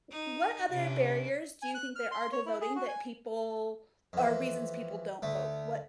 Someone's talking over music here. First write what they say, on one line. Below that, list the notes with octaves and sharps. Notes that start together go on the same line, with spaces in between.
W what other barriers do you think there are to voting that people or reasons people don't vote? What
D#4
C3 C#4 D4 B4
G#5
F#6
F6
C6
C#5
E4
G#4
F#4
G#5
F2 E3
D2 A3